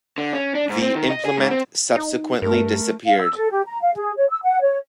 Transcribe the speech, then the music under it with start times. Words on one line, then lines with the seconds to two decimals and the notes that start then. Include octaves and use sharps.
The implement subsequently disappeared.
0.18 D3
0.33 C#4
0.55 D4
0.70 G#2
0.81 C4
0.95 D#3
1.10 D#5
1.25 G#4
1.38 G#2
1.51 C4
1.96 D#4
2.42 G2 A3 A#4
3.06 F5
3.21 E6
3.36 A4
3.51 G4
3.66 A#5
3.81 F5
3.96 G#4
4.16 C#5
4.29 E6
4.43 F#5
4.61 C#5